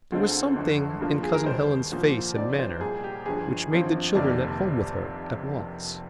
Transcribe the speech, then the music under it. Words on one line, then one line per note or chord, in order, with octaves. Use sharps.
There was something in Cousin Helen's face and manner, which made the children at home with her at once.
D2 D3 G#3 C4 F4
G1 F2 D3
G2 F3 A#3 F4
G#4
A#4
D#2 D#3 G3 C5
C2 A#2 F3 A#3 F4
G#2 F3 C4 D5
C5
C2 A#2 G3 A#3 G#4
G4
G1 G2 F3 G#4
G#1 G2 F3 C4 F4
F1 F2 C3 D#3 A#3 D5